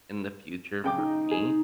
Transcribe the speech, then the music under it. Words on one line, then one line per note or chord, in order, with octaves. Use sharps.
in the future for me
C#3 G5 D6
D#4
G#4